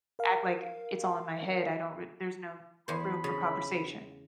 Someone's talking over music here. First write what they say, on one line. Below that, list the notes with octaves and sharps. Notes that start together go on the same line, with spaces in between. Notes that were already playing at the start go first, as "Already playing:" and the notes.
act like it's all in my head, I don't re there's no room for conversation.
A#4 F5
E2 C5 B5
C#3